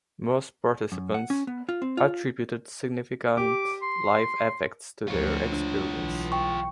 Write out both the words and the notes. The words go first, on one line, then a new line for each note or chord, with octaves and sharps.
Most participants attributed significant life effects to their experience.
F#2
F#5
C#4
B3
F4
C4
F4
G4 D6
C6
D2 F3 F4 C#5
D4
B1 E3
G5 C#6